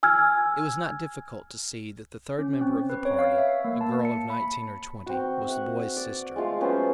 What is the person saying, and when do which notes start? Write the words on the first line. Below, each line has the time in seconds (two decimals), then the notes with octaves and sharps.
It was not difficult to see that the third member of the party, a girl of nineteen or twenty, was the boy's sister.
0.03 G#5 E6 F6 G#6
2.39 C#4
2.61 C4
2.90 B4
3.05 C#5
3.19 F5
3.38 E5
3.64 A#3
3.81 A5
4.05 C#7
4.30 B5
5.06 C4 F#4
5.48 E5 F#5
5.97 D5
6.36 G#3 A3 F4 F5
6.60 F#3 B3 C#4 C5